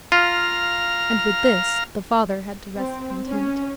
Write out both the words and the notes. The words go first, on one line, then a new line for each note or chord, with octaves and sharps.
And with this the father had to rest content.
F4 F5 A#5 F6
C4
C#4